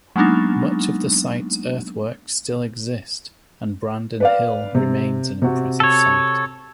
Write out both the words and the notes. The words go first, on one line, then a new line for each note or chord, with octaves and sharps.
Much of the site's earthworks still exist and Brandon Hill remains an impressive sight.
F#3 G#3 A#3 B3 D4 D#4
B4 D5 F5
C3
C3 F#4
A4 C#5